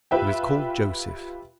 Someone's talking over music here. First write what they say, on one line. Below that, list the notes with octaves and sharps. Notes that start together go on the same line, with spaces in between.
He was called Joseph.
F4 G4 B4 E5 G5